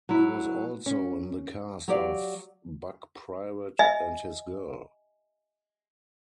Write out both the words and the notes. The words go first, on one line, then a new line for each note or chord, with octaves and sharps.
He was also in the cast of "Buck Private and His Girl".
F#3 E4
C#4
F#3 G4 D5 F5
D#5 E5 G#5